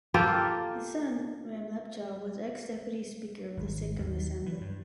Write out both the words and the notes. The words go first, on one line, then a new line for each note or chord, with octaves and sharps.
His son Ram Lepcha was ex deputy speaker of the Sikkim assembly.
A#3 F4 G4 A4
G#1
D#2
E3
G2